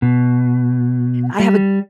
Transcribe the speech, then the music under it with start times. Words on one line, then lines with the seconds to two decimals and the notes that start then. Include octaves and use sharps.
I have a
0.02 B2
1.39 G3